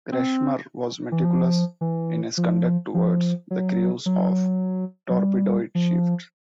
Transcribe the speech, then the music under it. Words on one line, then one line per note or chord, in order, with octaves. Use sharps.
Kretschmer was meticulous in his conduct towards the crews of torpedoed ships.
C4
E3
F3
E3
F3
F3
F#3
F#3
F#3
G3
F3